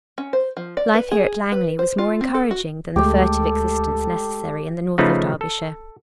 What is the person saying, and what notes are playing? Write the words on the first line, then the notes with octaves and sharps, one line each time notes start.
Life here at Langley was more encouraging than the furtive existence necessary in the north of Derbyshire.
C#4
C5
F3
D5
B4
G#4
B4
C5
F4
C4
A4
F#4
D2 G#3 A3 G4 A4
C#3 F3 A3 D#4 F4 B4
A4